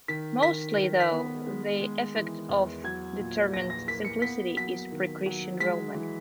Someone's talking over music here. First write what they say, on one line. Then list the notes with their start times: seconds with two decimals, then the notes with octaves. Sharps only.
Mostly, though, the effect of the determined simplicity is pre-Christian Roman.
0.08 D#3 B6
0.42 D#3 B6
0.77 D#3
1.00 B6
1.12 B3
1.47 G#3
1.81 G#3
2.15 E3
2.49 E2
2.84 F#3 G#6
3.19 A#2
3.53 A#1 A#6
3.70 A#6
3.88 A#3 B6
4.05 C#7
4.22 B3 B6
4.57 F#3 B6
4.92 D#3
5.26 F#3
5.60 G#3 B6
5.95 E3